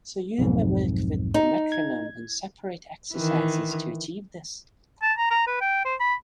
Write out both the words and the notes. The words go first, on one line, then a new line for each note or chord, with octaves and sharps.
So you may work with the metronome in separate exercises to achieve this.
B1 F2 G#2
D#4
G#6
D#3 E3
A5
A#5
A#5
B4
G5
C5
B5